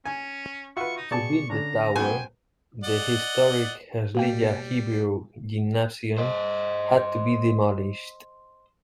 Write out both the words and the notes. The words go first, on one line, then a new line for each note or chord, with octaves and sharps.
To build the tower, the historic Herzliya Hebrew Gymnasium had to be demolished.
C#4 G#5
F4 F#4 B4 E5 C6 C#6
D#4
B2 B3 G#4 D5 A5 C#6
D3 C#4 D4 A#5
F#2 B3 C5 G5 G#5
D5 D#5 F#5
B2 G3 A#3 G5
C5 D#5